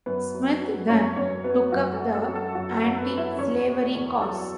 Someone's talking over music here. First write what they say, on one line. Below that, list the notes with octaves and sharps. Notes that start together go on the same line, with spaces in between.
Smith then took up the anti-slavery cause.
F#2 B3 B4
F#3
F#3
F#2 C#4 C#5
F#2 C#4 C#5
F#3 B3 B4
F#2 F#4
A4
F#3
A4
F#3
A4
F#2 F#4
A4
F#2
B3 B4
F#3
E4 E5
E2 C#4 C#5
B2
E2
F#3 A4